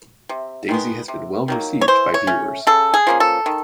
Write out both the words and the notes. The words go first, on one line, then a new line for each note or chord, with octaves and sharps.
Daisy has been well received by viewers.
C3
D#3 G#3 B3
C3
D#3 F#3 A#3
C#5
E3 C5
C#5
A3 C#4
C#3 A4
G#4
F3 A#3 C#4
A4
D#3